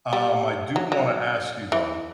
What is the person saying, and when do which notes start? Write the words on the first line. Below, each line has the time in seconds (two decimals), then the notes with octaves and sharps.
um, I do wanna ask you, though,
0.13 G3
0.76 F#3
0.92 F#3
1.72 E3